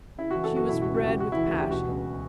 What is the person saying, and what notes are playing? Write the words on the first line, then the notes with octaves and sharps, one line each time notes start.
She was red with passion.
C#3 E4
E3 F#4
A4
F#2
F#4
B2 E4
F#4
C#2
F#4
C#2 G4
C#3 F#4
E3 E4
F#4
D2
G4
B2 F#4
C#2